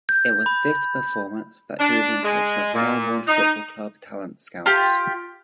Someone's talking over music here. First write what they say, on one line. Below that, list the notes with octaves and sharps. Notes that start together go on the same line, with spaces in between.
It was this performance that drew the attention of Melbourne Football Club talent scouts.
G6
B5
D4
G#3
A#2
D#4
F4 G4